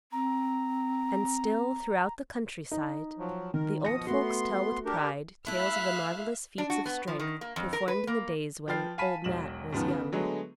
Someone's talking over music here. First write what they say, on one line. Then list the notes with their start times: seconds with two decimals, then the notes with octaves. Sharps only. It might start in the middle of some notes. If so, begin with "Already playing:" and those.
And still, throughout the country side, the old folks tell with pride tales of the marvelous feats of strength performed in the days when "Old Matt" was young.
0.12 C4 A#5
2.72 D#4
3.18 F3 F#3
3.54 D#3 A#4
3.85 B2 F3 D#6 A#6 C#7
4.07 A3 B3 F#4 C6
4.86 D4 G4 A#4
5.47 A3 E4 E5 F5 B5 F6 F#6
6.58 D4
6.70 F#4
6.86 B3
7.08 F3
7.19 D#3
7.41 A#3
7.56 F2
7.73 A#4
7.88 B4
8.07 A#3
8.68 F3 B4 G5 F6 A6 C7
8.98 F5 G#5 A5 B5 B6 D#7
9.24 E1 B1 E7 F#7
9.73 D#2 G#2 C#3 F3 B3
9.88 C#3 B3
10.12 D3 F#3 G#3 A3 B3